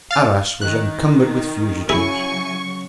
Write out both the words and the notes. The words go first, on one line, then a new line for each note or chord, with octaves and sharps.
Arras was encumbered with fugitives.
F5 A6
D#3 F#6
C#3 F#3 E4 G#4 G#5 C#6